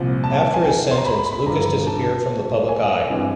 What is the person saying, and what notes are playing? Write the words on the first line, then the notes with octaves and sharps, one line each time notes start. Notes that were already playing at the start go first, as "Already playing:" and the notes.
After his sentence Lucas disappeared from the public eye.
Already playing: C2 A#2 F3
A5
G#5
G5
C6
A#5
B5
B5
B5
G1 G2 D3 F3 A#5
A5
G#5
G2 E3 G#3 C4